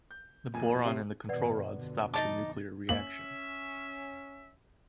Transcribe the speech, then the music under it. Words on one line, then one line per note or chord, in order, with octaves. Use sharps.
The boron in the control rods stopped the nuclear reaction.
G6
D1 F2 A#2 G#5
C3 C7
G2 B2 D#3 B4 D5 F#5
F2 B2 D3
D#4 C#5 A5 D6 A6
F#2 A#3 C#4 E5 F#7